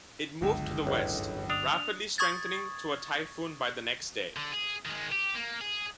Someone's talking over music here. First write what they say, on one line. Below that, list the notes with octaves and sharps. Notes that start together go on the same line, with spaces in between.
It moved to the west, rapidly strengthening to a typhoon by the next day.
G1 C#2 F#2 D3
A1
D4 D#6 F7
C#6 D#6 G#6 A6
D3
G#4
D#3 G#3
G4
A#3
G#4